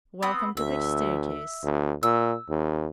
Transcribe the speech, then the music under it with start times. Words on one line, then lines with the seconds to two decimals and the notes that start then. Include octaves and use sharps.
Welcome to the staircase.
0.23 B3 C4 D#6
0.57 D2 E5
1.63 D2
2.03 A#2 E6
2.49 D#2